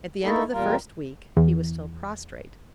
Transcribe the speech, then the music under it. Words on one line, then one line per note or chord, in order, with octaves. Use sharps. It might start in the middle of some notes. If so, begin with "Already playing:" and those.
At the end of the first week he was still prostrate.
A3 A#3 D#4 E4 A4
E2 A#2 G3 A#3 F4 A#4
E2